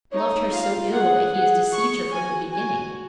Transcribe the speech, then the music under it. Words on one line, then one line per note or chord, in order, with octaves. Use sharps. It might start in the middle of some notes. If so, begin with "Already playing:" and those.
'Loved her so ill that he has deceived her from the beginning.'
D#4 C#5
F4 F5
G#4 F#5
G#4 F#5
C#6
F#4 G#5
F#4 G#5